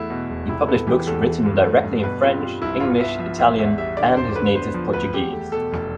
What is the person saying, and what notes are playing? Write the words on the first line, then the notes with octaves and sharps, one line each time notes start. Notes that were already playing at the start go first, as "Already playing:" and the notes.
He published books written directly in French, English, Italian, and his native Portuguese.
Already playing: E2 A3 E4
B2
E1
C3 E4
B3 A4
E3 G4
E2 A4
E3
G2
A3
G2
B2 B4
C4 F4
G3 F4
C2 E4
G2 F4
B3 E5
F3 E5
A1 E5
E2 E5
G3 E5
D3 D5
E1 C5
D3 B4
B3 C5
F3
D2 B4
E2 G4
A3
B2 A4
F1